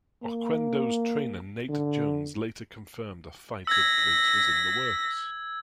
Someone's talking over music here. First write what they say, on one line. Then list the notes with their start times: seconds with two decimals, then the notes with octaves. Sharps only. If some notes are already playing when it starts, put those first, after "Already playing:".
Oquendo's trainer Nate Jones later confirmed a fight with Briggs was in the works.
0.23 A#3
1.69 D3
3.67 E6 G#6 A#6 B6